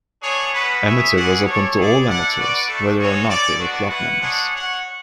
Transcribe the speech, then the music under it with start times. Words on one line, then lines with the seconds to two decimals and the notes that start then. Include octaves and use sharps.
Amateur was opened to all amateurs, whether or not they were club members.
0.22 B3 D4 G#4 C#5
0.53 G#3 C#4 F#4 B4
0.83 E4 G#4 C#5 E5
1.15 C#4 E4 G#4 D5 F#5
1.45 D4 A4 C#5
1.76 E4 G#4 D5
2.06 E4 A4 D5 F#5
2.37 F#4 B4 D5
2.67 A3 D4 A4
2.98 G#3 C#4 F#4 A4 C#5
3.29 B3 E4 A4 D5
3.59 G#3 B3 D4 F#4
3.89 E4 B4 F#5
4.20 G#3 D4 G#4 C#5 F#5
4.51 F#4 C#5 F#5